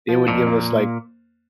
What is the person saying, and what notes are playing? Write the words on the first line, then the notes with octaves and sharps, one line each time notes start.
they would give us, like,
F3
F2 A#2
A#3